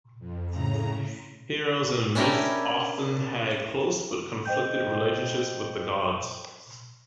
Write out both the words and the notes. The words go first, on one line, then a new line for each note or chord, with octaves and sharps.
Heroes in myth often had close but conflicted relationships with the gods.
F2
A2 C#3 A#5
C#4 D4 E4 G4 A#4
C5 D#5 G5 G6